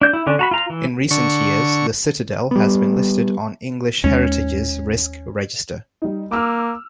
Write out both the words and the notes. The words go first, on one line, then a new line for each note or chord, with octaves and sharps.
In recent years the Citadel has been listed on English Heritage's Risk Register.
D4 G6
E4
D3 C#4 D4
F#4 A#5 B5
F4 A#5
E3
D3 C#6
G3 B3
D#2 G#3 C#4
G3 D#4
A#3 D6 E6 F6